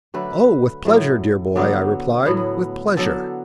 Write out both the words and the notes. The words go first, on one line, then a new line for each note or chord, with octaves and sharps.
"Oh, with pleasure, dear boy," I replied, "with pleasure."
D3 F#3 A3 B4
A2 F#3 A3
D3 F#3 B3
A2 F#3 B3
D3 F#3 B3 A4